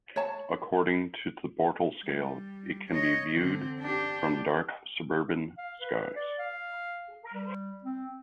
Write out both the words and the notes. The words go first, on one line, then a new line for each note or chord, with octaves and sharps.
According to the Bortle scale, it can be viewed from dark suburban skies.
C#5 A5
G3
C#5 D#5
D3 C4
D4 G4
F5
B4
D5
F5
G3
C4